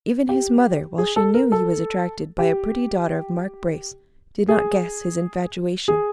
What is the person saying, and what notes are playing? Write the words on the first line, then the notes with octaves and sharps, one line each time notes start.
Even his mother, while she knew he was attracted by a pretty daughter of Mark Brace, did not guess his infatuation.
G4
G#4
A4
A#4
A4
G4
G#4
G#4